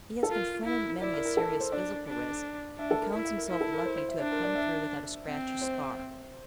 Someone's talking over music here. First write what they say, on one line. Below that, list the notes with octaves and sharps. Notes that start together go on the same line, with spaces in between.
He has confronted many a serious physical risk, and counts himself lucky to have come through without a scratch or scar.
A4
F4 A#4
E4
E4 D5
A#4
A#4
A4
A#4
C5
D4 D5
D4
D4 E5
A4
A#4
E4
E5
A#4
E4 A#4
A4
A#4
C5
C5
E5
D4
A#4
D5
E5
C4
C5